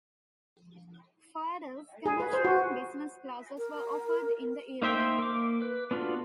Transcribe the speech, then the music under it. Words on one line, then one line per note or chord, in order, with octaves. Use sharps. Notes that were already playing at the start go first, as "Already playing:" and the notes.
For adults, commercial and business classes were offered in the evenings.
G#4
B4
C5
F#4
A#4
A#3 D#4 C5 E5 G5
A#3 D6
B4
B3 D4 F4 F#4 A4